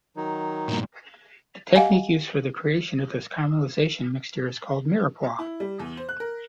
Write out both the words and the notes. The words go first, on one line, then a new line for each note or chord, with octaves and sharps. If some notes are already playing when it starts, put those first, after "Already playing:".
The technique used for the creation of this caramelization mixture is called mirepoix.
D#3 F#3 D#4
G2 A#2
G4 D#5 F5 F#5 G#5
E4
G3
E2
C5
F#6
A#4